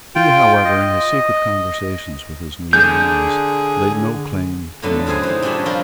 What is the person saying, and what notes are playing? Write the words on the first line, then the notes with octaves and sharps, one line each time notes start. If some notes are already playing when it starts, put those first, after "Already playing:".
He however, in his secret conversations with his new allies, laid no claim to merit.
F4 G5
D#5
D3 G#4 G6
A#2 D3 F#3 A3 B3
F#2 C4 G#4 C5 G#5
E3 D#4
A#2 G3 C#4 D4 G#4 E5
F3 G3 C4 F4 A#4